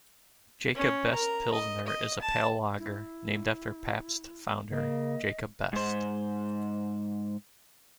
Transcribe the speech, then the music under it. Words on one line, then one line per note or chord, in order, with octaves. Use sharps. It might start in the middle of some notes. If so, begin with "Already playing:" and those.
"Jacob Best Pilsner" is a pale lager named after Pabst's founder, Jacob Best.
C#4
A#4 A#5
D#5
D#5
A5
E4
C#3 A#3 D#5
G#2 C5